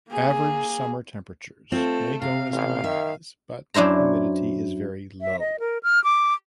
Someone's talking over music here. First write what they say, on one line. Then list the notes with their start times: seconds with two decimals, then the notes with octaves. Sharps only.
Average summer temperatures may go as high as but humidity is very low.
0.10 A#3 G#4
1.72 A3 C4 F4 A4
2.22 C3 F5
2.52 A1 F5
2.84 D#3 E5
3.74 F#2 D4 E4 C5 A#5
5.21 E5
5.39 D#5
5.60 A#4
5.83 F6
6.04 D6